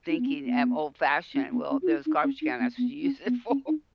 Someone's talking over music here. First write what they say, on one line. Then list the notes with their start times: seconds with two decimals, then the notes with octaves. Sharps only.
thinking, um, old fashioned, "Well, there's garbage can. That's what you use it for."
0.09 D#4
0.18 B3
0.26 C#4
0.45 B3
1.34 C#4
1.52 B3
1.71 C#4
1.82 F#4
1.88 E4
2.06 D#4
2.23 C#4
2.42 D#4
2.60 B3
2.78 B3
3.02 C#4
3.26 B3
3.50 C#4
3.68 D#4